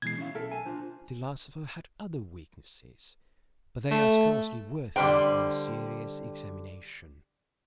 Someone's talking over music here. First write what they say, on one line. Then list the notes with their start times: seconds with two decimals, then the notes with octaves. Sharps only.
The philosopher had other weaknesses--but they are scarcely worthy our serious examination.
0.02 B2 E3 G#3 G#6 C7
0.18 C#4 E4 F5
0.35 B1 A4 A#4 E5
0.51 G#5 A5
0.66 D4 F4 C5
3.91 A3
4.96 D3 G3 B4 C5 G5